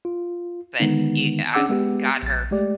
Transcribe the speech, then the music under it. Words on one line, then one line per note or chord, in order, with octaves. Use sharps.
But e I got her
F4
D3 D#3 G#3 B3 D#4
C#4 D4 G#4 F#5 D6 E6
G#3 B3 G4
A#1 A6
G#3 A3 G4 D5